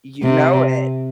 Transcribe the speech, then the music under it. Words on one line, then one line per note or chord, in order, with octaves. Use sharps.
You know it.
C3